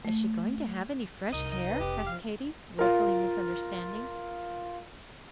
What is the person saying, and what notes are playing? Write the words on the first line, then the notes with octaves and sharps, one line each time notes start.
"Is she going to have any fresh hair?" asked Katy, wilfully misunderstanding.
A3
C2 D#4 A#4 D#5
D#5
B4
F1 G4
F3 F5
F4 A#4